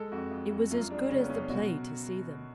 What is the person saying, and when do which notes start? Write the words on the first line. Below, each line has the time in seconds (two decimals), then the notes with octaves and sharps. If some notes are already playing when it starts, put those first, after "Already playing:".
It was as good as the play to see them.
Already playing: G#3 A4
0.12 F2 F#4
0.31 F2
0.51 F2
0.70 F#2 F4
0.90 G#3 D4
1.10 C#3 C#4
1.20 B3
1.30 F#2 C#4
1.40 D4
1.49 B2 F#4